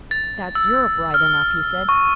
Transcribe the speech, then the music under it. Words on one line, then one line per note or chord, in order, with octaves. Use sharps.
"That's Europe, right enough," he said.
A6
E6
F6
C#6